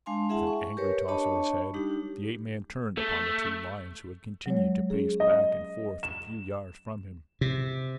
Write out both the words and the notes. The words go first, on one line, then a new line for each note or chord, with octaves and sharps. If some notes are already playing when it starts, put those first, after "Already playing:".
With an angry toss of his head, the ape-man turned upon the two lions who had continued to pace back and forth a few yards from him.
G#3 D4 F5 G#5 A5 C6
E4 G#4 E5 F#5 G#5 A5
C#6
G4 A#4 B4 C#5
D4 C#5 D#5 A5 B5 C#6
G3 D4 D#4 G4
A3
F#3 G#3 C#5
C#4 G#4
D#5
E7
C3